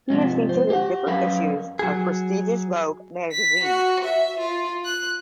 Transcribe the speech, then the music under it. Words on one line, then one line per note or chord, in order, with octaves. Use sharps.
He has featured in different issues of prestigious vogue magazines.
G#2 C3 F3
C5
G4 F#5
F#2 A#4 B4 F5 B5
F#3 G#4
B6
F#4
E5
F4
F#6